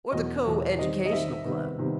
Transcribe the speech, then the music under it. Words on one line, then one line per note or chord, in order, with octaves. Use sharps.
Or the Co-educational Club?
E2 B2 F#3 D#5
E2 B2 F#3
D#3 G3 C4 D#5
D#5
D#3 G3 C4 E5
C3 D#3 G3 B3
C3 D#3 G3 B3